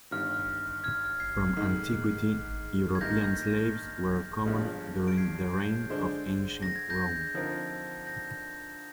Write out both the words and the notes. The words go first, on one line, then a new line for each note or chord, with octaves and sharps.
From Antiquity, European slaves were common during the reign of Ancient Rome.
G1 G2 D#3 F6
F6 G#6
G#6 C7
G#2 D#3 G#3 G#6 C7
G#6
G2 D#3 A#3 D#4 A#4 G6 A#6
G1 G2 F3 G#3
D7
G#6 C7
G6
D3 G#3 D4 G#4 C5
A#6
G#6
G6 A#6
D3 F3 C4 D#4 A#4
G6 A#6